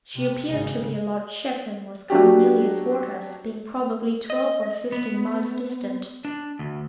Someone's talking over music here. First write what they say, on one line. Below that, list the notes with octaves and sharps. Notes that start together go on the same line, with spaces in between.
She appeared to be a large ship, and was coming nearly athwart us, being probably twelve or fifteen miles distant.
C3
G#1 C#3
F#3 D4 F#4 G4
D#5
B3
D4
D2